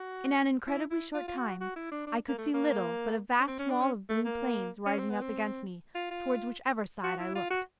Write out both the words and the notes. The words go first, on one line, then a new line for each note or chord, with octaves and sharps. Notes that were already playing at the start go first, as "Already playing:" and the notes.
In an incredibly short time, I could see little but a vast wall of blue plains rising up against me, towards whichever side I looked.
Already playing: F#4
E4
E4
F4
F4
F#4
F#4
E4
D4
D4
A#3
A3
A#3
C#4
C4
C#4
D4
C#4
A3
A#3
C#4
C4
B3
C4
F4
F4
F#4
E4
F4
F#4